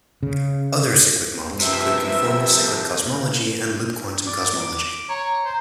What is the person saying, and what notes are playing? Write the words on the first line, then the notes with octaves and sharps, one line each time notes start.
Other cyclic models include Conformal cyclic cosmology and Loop quantum cosmology.
C#3
C3 F3 G4 A#4 B4 E5
D5
D6
C#5 A#5
C5